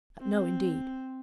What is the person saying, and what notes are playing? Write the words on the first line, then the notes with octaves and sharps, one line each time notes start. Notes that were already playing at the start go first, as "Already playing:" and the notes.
"No, indeed."
C4